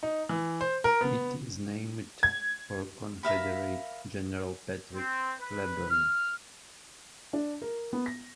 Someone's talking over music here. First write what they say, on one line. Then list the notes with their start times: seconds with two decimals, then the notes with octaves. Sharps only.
It is named for Confederate General Patrick Cleburne.
0.03 D#4
0.29 E3
0.61 C5
0.84 A#4
1.01 B3
2.23 G#6
3.23 A#4 E5 F5 B5
4.94 C4
5.41 B4
5.90 F6
7.33 D4
7.62 A#4
7.93 B3
8.06 A#6